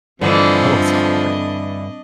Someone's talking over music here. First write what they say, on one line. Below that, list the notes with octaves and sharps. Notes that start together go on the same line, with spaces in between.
Oh, it's harder.
G2 D3 E3 F3 A3 C4 D4 D#5